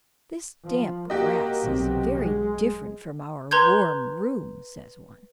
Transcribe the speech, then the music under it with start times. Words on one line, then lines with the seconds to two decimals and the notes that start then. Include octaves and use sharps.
"This damp grass is very different from our warm room," says one.
0.64 F3
1.10 A#3 F#4 G4 D#5
1.62 B1 C3
2.16 G#3
3.51 B4 A#5 C6 G6 G#6